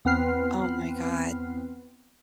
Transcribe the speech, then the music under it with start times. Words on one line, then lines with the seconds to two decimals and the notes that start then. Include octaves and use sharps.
Oh my god.
0.05 E2 B3 C4 B4 F6 C7